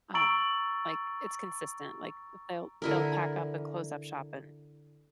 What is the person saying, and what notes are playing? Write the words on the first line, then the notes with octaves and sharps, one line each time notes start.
um like, it's consistent, like they'll they'll pack up and close up shop and
A#5 C#6 E6 A6 D7 F#7
D3 E4 A#4